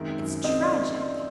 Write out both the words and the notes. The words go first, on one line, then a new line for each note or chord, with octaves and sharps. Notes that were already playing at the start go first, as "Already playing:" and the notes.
It's tragic.
Already playing: F#2 D#3 G#3 C4 E5
F#2
C4 D#5
D5